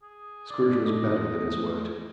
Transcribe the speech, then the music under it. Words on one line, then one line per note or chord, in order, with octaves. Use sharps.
Scrooge was better than his word.
G#4
D5
A3 D#5